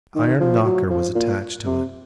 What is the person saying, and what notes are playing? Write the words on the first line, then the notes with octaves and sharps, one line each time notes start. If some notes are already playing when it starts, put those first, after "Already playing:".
An iron knocker was attached to it.
D#3
F3
F#3
F3
A#2
C3